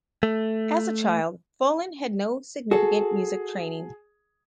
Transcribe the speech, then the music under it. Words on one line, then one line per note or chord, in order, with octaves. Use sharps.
As a child, Follin had no significant music training.
A3
F#4 G#4 A4